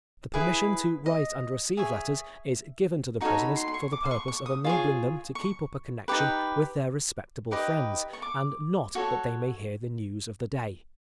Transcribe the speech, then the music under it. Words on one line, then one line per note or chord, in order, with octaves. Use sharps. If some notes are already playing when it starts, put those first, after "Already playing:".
The permission to write and receive letters is given to the Prisoners for the purpose of enabling them to keep up a connexion with their respectable friends, and not that they may hear the news of the day.
E4 G#4 B4
D#5
G#4 C#5 E5
D#4 F#4 A4 C#5 A#5
B5
C6
C6
C#6
D6
C6
C#6
C#6
D#6
F4 G#4 C#5
C#6
D#4 G4 B4
D#4 G4 B4 D#5
C#6
D6
F#4 A4 C#5